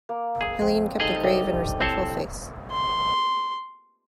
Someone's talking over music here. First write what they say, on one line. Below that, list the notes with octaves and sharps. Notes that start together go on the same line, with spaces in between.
Helene kept a grave and respectful face.
A#3
G#4 D#6 E6
F2 C4
G3 D#4 G#4 A4 D#5
C2 D4 G4 A4
B1 C4 E4 C5 C#5 A5
C6